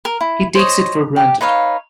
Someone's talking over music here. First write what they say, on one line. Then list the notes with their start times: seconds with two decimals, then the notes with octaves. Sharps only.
He takes it for granted.
0.05 A#4
0.21 E4
0.55 C5 C#5 D#5
1.16 G4
1.41 D#4 B4 C#5 F5